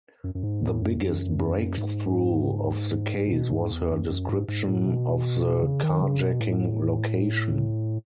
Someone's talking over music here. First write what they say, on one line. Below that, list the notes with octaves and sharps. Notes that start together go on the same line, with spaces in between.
The biggest breakthrough of the case was her description of the carjacking location.
F#2
F#2
G#2
A2
F#2
E2
F#2
G#2
A2
B2
G#2
E2
F#2
F#2
G#2
G#2
A2
B2
C#3
D#3
C#3
B2
A2